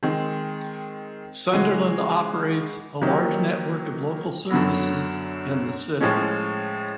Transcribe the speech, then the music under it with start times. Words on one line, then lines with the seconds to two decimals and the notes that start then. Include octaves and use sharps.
Sunderland operates a large network of local services in the city.
0.03 D#3 G#3 C4
1.52 C#3 E3 G#3 C#4 F#4
3.01 D#3 F#3 A#3 D#4 G4
4.51 F#2 D3 F#3 B3
6.01 A2 F3 G#3 C#4